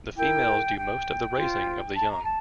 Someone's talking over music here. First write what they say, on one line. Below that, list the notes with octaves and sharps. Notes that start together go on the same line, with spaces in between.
The females do most of the raising of the young.
E4 A#4 G5
G5
F4 C5
A5
A#5
A5